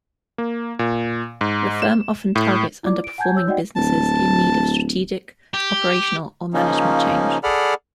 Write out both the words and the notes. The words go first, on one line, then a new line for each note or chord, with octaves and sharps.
The firm often targets under-performing businesses in need of strategic, operational, or management change.
A#3
A#2
G#2
E7
A2
E4 F4 D5 D6
D7
F#5 G#5 A5 G6 G#6
C#5 E6 G6
D#4 F#4 D5 D#5 F#5 G5
D1 A5
G4
C#3 F3 A#3 C#4 D#4
G#4 A4 D5 F#5 B5 F6